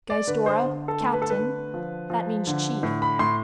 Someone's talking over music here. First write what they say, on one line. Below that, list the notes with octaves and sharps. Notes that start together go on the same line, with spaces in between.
Gaizdorra, Captain, that means chief.
D5
D3 B4
C5
D3
A4
A3
B4
A4
B4
D3
F3
F3
D3
A2
B5
A2 C6